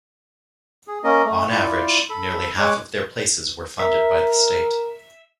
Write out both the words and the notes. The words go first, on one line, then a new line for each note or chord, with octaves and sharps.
On average, nearly half of their places were funded by the state.
G#4
A#3 C#4 A#4 D#5
A3
E4 F4 D5
A4 B5
G#3 C#5 D6 F#6
A#4 E5